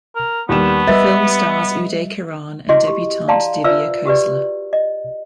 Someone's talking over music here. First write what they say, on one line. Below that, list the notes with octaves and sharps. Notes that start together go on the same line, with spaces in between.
The film stars Uday Kiran and debutante Divya Khosla.
A#4
D#2 G3 B3 E7
G3 B4 D#5 E5 A6
E4 F#4 G#4 D#5 C6
G4
D5 F5 A5 A#5 C6
F4 B4 C5 D5 E5 E6
F#4 G4 B4 D5
D#5